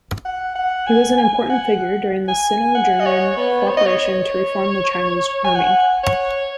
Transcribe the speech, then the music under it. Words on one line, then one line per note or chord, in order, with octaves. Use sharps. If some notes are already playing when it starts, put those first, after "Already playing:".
He was an important figure during the Sino-German cooperation to reform the Chinese Army.
F#5
F#5
G#5
G#5
F#5
G#5
F#5
D#5
C#5
B3
C#5
D#5
C#5
G#5
F#5
C#5